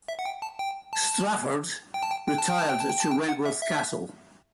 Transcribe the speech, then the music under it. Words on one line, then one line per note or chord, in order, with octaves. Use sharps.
Strafford retired to Wentworth Castle.
E5
F#5
G5
A5
G5
A5
G5
A5
G5
G5
A5
G5
A5
G5
A5
G5
A5
G5
F#5
E5
E5